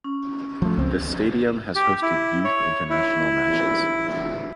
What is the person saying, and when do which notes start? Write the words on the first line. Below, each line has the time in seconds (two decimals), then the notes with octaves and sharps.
The stadium has hosted youth international matches.
0.04 C#4
0.62 F3 A3
0.77 C#2 C4
1.75 G4
2.02 E4
2.45 C#5
2.90 E4